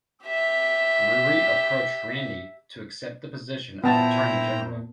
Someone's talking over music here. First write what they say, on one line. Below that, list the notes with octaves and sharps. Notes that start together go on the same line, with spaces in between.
Drury approached Raney to accept the position of Attorney-General.
G4 E5
A#2 B3 E4 C5 G5 A5 A#5